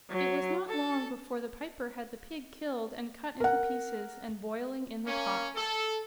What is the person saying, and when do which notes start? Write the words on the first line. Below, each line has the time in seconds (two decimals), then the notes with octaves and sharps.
It was not long before the piper had the pig killed and cut into pieces and boiling in the pot.
0.10 F#3
0.69 A4
3.40 A#4 F#5
5.06 A#3 C#4
5.55 A4